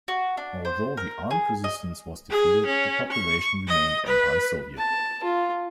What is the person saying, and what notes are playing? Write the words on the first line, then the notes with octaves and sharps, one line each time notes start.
Although the armed resistance was defeated, the population remained anti-Soviet.
F#4
D4
C5
A#4
G#4
D#5
G#4
C#4
C#6
D#5
B4
A5
F4